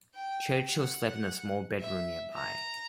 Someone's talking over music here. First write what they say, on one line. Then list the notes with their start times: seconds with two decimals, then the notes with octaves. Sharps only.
Churchill slept in a small bedroom nearby.
0.14 G5
0.70 F#5
1.79 E5
2.33 A#5